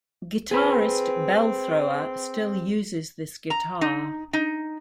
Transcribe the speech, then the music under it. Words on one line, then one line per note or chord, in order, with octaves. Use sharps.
Guitarist Belthrower still uses this guitar.
C4 G#4 B4
A#5
D#4
D#4